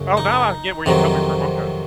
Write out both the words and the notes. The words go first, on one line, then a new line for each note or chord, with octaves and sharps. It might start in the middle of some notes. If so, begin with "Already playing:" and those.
Oh, now I get where you're coming from, okay.
Already playing: F#2 C#3
D#4
F2 C3 D#3 F#3